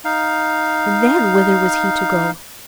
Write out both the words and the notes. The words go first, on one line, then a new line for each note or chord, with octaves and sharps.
And then, whither was he to go?
D#4 F5